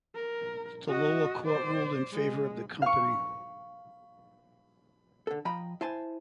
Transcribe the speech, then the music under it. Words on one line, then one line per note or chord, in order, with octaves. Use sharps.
The lower court ruled in favor of the company.
A#4
F#4 D#5
C5 D5
G#3
F5 C#6
D3 A4
F3 D#5 G5 A#5 B5
E4 C5 G#5 A5